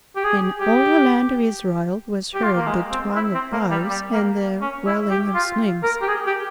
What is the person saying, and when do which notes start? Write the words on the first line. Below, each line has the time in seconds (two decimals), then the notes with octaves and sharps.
In all the land of Israel was heard the twang of bows and the whirling of slings.
0.16 G4
0.24 G#4
0.60 G4
2.34 G4
2.43 F4
2.56 A#3
2.67 G#3
2.92 C4
3.16 E4
3.34 C4
3.52 A#3
3.70 G3
3.89 G3
4.13 A#3
4.61 C#4
4.86 E4
5.10 G4
5.35 F4
5.83 A#4
6.02 G4
6.08 G#4
6.26 G4